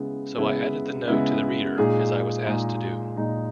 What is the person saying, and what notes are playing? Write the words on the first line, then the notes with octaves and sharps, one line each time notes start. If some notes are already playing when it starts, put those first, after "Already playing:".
So I added the note to the reader as I was asked to do.
Already playing: C#3 G#3 B3 E4
C#3 G#3 B3 E4
C#3 G#3 B3 E4
A#2 G#3 D#4 G#4
A#2 G#3 D#4 G#4
A#2 G#3 D#4 G#4